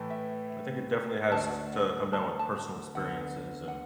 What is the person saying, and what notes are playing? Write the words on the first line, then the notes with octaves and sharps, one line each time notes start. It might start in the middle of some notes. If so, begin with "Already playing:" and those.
I think it definitely has t to come down with personal experiences and,
Already playing: A2 E3 A3 E4
E5
D2 D3 A3 F#4 D5 A5
F#5
A5
A5
D2 D3 B3 F#5
F#5